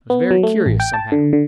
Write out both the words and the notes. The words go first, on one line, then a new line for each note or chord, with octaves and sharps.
It was very curious, somehow.
B3
F#3
A3
A1
G5
A5
D3
D3